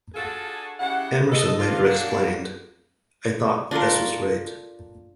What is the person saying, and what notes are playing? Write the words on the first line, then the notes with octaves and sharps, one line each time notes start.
Emerson later explained, I thought this was great.
D4 F4 F#4 G#4 A4
C#3 E4 G4 F#5
A4 D#5
D#2 D4 F4
F#3 A#3 D4
D4 F4 A4 A#4